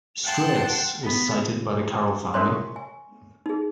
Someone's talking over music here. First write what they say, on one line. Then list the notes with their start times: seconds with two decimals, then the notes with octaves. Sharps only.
'Stress' was cited by the Carroll family.
0.23 F#5 G5 A5 C6
1.02 B3
2.34 F#2 C#5 C6 D#6 F#6
2.52 C#6
2.76 G#5
3.46 D#4 G#4